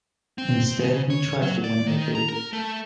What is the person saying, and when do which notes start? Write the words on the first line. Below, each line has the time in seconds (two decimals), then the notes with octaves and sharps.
Instead he tries to win her favour.
0.38 C4
0.80 C#3
1.10 C#5
1.42 F#3
1.64 D5
1.87 D#3
2.15 A#5
2.28 A#4
2.53 A3